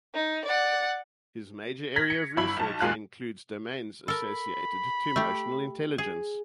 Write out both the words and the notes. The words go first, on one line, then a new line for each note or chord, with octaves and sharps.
His major area of research includes domains associated to Emotional Intelligence.
D#4
D5 F#5
G#6 A#6 B6
C#7
G1 E4 B5
B1 A5
D#2 A#2 G#3 F4 F#6
A4 A#4 B5
A3 G4
G#4